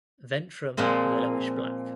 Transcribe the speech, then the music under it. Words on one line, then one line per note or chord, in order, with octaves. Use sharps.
Ventrum yellowish black.
A#2 F3 G#3 A#3 C4